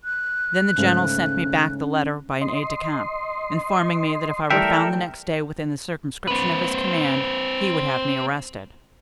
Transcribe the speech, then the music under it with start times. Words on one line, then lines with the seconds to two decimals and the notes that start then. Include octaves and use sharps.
"Then the general sent me back the letter by an aide-de-camp, informing me that if I were found the next day within the circumscription of his command, he would have me arrested."
0.04 F#6
0.78 G#2 C#3 A3 C#4
2.41 D#5 C6
4.51 E3 G3 A3 A4 A#4 E5 G5
6.27 C4 B4